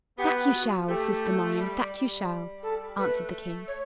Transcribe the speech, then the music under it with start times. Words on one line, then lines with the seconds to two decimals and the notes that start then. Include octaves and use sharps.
"That you shall, sister mine; that you shall," answered the king.
0.18 B3 G4
0.53 F#4
0.88 A3 G4
1.59 G3
1.93 G3
2.63 A4
2.97 A3 B4
3.68 C#5